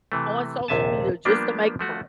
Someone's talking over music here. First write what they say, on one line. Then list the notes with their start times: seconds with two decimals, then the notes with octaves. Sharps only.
on social media just to make money.
0.12 C3 E3 A3
0.68 A#1 D#2 C3 E5 G#5 A5
1.25 F3 G3 A#3 B3 D4 G4
1.79 F3 A3 F#4